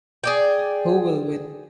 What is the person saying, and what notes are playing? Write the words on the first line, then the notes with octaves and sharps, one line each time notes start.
Who will win?
G#4 D5 G5